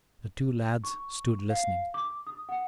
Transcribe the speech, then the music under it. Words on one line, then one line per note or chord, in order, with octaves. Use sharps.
The two lads stood listening.
C#6
F5
D6
D#6
F#5